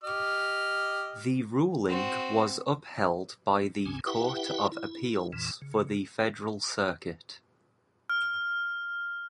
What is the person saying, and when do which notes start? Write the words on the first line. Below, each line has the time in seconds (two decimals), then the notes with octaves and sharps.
The ruling was upheld by the Court of Appeals for the Federal Circuit.
0.04 G4 D#5 F6
1.88 C4 F#4
3.86 D2 G#2 C#3 C4 G#5
4.07 E4 G4 B4 E5 F#5 G5
4.72 E4
5.33 F2 A#2 E3
5.62 C#3
8.10 F6